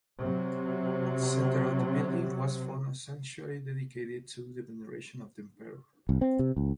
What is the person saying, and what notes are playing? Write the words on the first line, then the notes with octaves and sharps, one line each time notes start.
At the center of the building was found a sanctuary dedicated to the veneration of the emperor.
C3 F#3
C2
C4
C3
C#2